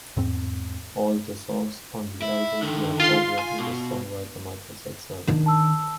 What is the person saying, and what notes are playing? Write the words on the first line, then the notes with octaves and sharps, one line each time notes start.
All the songs on the album were co-written with songwriter Michael Saxell.
E2 G#2 C4
E4
D3 D#3
F4 C6
G#5
B2
D#3 D4
A5 E6